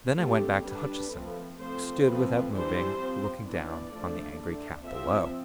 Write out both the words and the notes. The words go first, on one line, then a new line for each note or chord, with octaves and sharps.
Then I went back to Hutcheson, who stood without moving, looking down on the angry cat below.
D3 A3 C4 G4
G3 D4 B4
F3 A3 C4
F3 A3 C4 C5
F3 A3 C4 B4
E3 G3 D4 C5
F3 C4
E3 B3 D4 D5
F3 A3 D4
D3 A3 D4
F3 C4 E5